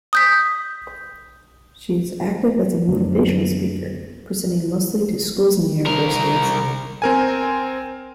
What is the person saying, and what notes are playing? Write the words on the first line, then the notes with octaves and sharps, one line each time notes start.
She is active as a motivational speaker, presenting mostly to schools and universities.
D#6 G6 B6
F#2 D3 F#3 A3 B3 D4
C2 A#4
C4 A#4 G#5